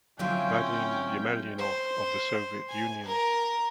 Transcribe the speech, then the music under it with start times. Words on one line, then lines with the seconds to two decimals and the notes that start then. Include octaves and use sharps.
Vadim Yemelyanov of the Soviet Union.
0.19 D3 F#3 C4 C#4 E4 F4 G5 G6
1.59 C5
2.69 G#5
3.05 A#4